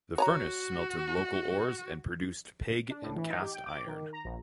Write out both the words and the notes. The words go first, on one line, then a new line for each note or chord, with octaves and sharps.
The furnace smelted local ores and produced pig and cast iron.
F#4 C#5 G#5 A#5
D4
A2
E3
D#4
G4
G5
D6
D#3
A#5
A#1